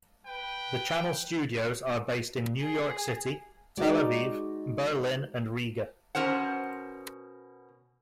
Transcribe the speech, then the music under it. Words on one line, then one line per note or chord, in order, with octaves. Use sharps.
The channel studios are based in New York City, Tel-Aviv, Berlin and Riga.
B4 G5
G#4
G#3 D#4 F#4 D5
B2 C#4 A#4 C5 F#5